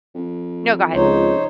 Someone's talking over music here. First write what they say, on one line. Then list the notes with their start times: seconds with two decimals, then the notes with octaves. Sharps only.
No, go ahead.
0.15 F2
0.94 C#2 D#4 C5 C#5